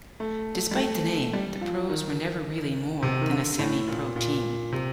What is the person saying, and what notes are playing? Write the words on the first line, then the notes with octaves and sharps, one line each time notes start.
Despite the name, the Pros were never really more than a semi-pro team.
A3
G3
A3
G3
F3
D#3
C3
D#3
D3
A2
A#2
A#2
C3